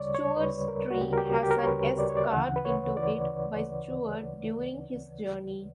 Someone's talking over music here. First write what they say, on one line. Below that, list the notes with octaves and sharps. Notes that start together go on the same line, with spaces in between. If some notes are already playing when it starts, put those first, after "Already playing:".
Stuart's Tree has an 'S' carved into it by Stuart during his journey.
Already playing: D2 C#3 G3 C#5 D5
C#5
D2 C#3 G3 B4
A#4
F#4
D2 C#3 G3 G4
A#4
G4
A#4
G4
A#4
C#5
D2 C#3 G3 B4
D5
C#5
D5
E5
D2 C#3 E3 F#5
B4
C#5
E3 D5